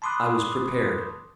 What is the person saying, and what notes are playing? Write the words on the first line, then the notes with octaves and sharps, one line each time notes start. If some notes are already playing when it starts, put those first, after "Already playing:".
I was prepared.
A5 B5 C6 D6 D#6 F#6